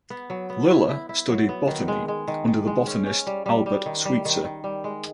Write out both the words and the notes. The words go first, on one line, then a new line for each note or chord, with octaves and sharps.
Lilla studied botany under the botanist Albert Sweetser.
B3
F#3
B3
E4
E4
E4
F#3
B3
D#3
G#3
G#3
D#3
D#3
G#3
C#4
C#4
G3
G3
G3
D#3
G3
D#3
D#3
G3
G#3